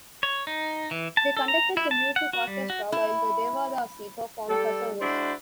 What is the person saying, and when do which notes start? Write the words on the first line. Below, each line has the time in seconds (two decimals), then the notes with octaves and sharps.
They conducted the music orchestra while the devadasi performed her service.
0.23 C#5
0.47 D#4
0.91 E3
1.17 A5
1.37 A4
1.48 A#5
1.77 E4
1.91 A5
2.16 F#5
2.33 F#4
2.47 G3
2.70 F#4
2.92 E4
4.49 G3 A4
5.00 G#3 D4 E4 F#4 C5